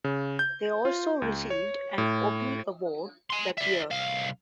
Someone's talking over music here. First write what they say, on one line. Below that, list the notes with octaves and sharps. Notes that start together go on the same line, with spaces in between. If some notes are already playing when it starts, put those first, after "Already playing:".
They also received an Obie award that year.
C#3
G6
F4
C#2
C#5
A2
G#5 C6
D5 E5
C2 F5